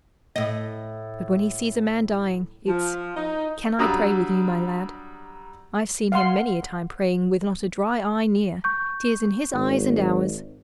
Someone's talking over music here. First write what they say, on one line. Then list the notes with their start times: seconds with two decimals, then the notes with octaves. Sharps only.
But when he sees a man dying, it's 'Can I pray with you, my lad?' I've seen him many a time praying, with not a dry eye near--tears in his eyes and ours.
0.36 A2 D#5
2.68 F3
3.17 D#4
3.79 F#3 G3 D4 A#5 D#6 E6
6.12 F5 F#5 C6
8.64 C#6 G6
9.53 G#1